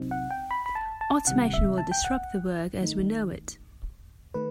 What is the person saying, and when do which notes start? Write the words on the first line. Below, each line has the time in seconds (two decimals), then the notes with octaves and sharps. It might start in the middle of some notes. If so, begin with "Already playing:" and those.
Automation will disrupt the work as we know it.
Already playing: C3 F#3 C4 D#4
0.11 F#5
0.31 G5
0.51 B5
0.66 B5
0.75 A5
1.01 A5
1.27 C3 D#3 G3 F#5
1.53 E5
1.78 A5
1.91 G5
2.04 F#5
2.81 D#3 A3 D#4
4.34 D#3 A3 B4